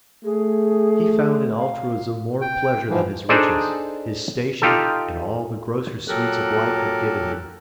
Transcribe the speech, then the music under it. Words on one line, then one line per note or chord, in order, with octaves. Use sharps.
He found in altruism more pleasure than his riches, his station and all the grosser sweets of life had given him.
A3 G#4
F5
G5
G#2 E3 F3
D4 D#4 G#4 A4 C5 D5
D#4 F4 G4 A4
A#2 F#3 G4 A4 A#4 F#6